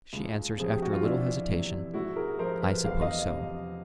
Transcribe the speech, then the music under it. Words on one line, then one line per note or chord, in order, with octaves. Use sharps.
She answers, after a little hesitation, 'I suppose so.
C#2
C3 F3 G#4
G4
F#4
F4
F2 D4 E4
C3 E3
G#2 E4 F#4
G#4 A#4
F3 A#4 C5
A4 B4
E2 F5
D#5 F5
C3 F3